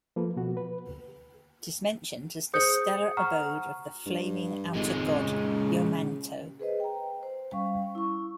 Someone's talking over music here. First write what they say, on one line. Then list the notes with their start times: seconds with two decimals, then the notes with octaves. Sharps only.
It is mentioned as the stellar abode of the flaming Outer God Yomagn'tho.
0.16 F3 A#3 F4 A4 B4
0.36 B2 F3 F#4
0.57 B4
0.87 D2
2.54 G#4 C5 D#6 G6 C#7
3.17 F#5 A#5 C#6 F6
4.06 G2
4.75 G#1 A#2 G#3
5.15 C#3
6.59 G#4 B4 C5 D#5
6.80 G5 A#5
7.23 C5
7.52 G3 C#4 F5 C#6
7.95 E4 C#6